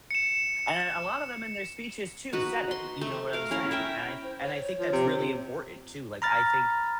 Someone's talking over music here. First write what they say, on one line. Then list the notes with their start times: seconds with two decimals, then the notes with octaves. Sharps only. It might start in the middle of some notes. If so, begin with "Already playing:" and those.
And a lot of them in their speeches too said it, you know what I was saying, and I and I think that's really important too, like I think
0.11 C#7 E7
2.33 D#4 F#4 B4
2.71 C6
3.01 A3
3.33 A#4 F5
3.51 C#4 E4 A#4
3.71 E4 E5 G5
4.23 C5
4.44 C#5
4.79 F3
4.93 C3
6.22 A#5 B5 F6 A6